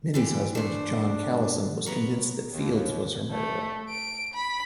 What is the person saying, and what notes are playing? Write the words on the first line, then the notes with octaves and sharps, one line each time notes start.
Minnie's husband, John Callison, was convinced that Fields was her murderer.
D3 E3 G4
A3 D4 C5
B3 A#4 C#5
D#2
A3
D7
B5